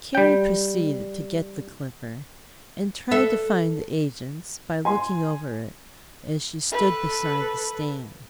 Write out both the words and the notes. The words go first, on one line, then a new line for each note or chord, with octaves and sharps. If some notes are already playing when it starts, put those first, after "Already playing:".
Carrie proceeded to get the "Clipper," and tried to find the agents by looking over it as she stood beside the stand.
G3 G5
A4 B4 E5
G#5 C6
A4 B4